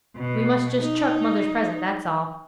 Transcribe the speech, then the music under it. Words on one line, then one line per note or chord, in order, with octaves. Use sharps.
We must just chuck mother's present, that's all.
B2
D#4